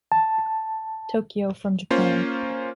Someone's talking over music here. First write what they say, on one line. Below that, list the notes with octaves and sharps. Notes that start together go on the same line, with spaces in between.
Tokyo from Japan.
A5
A#3 C#4 F4 C5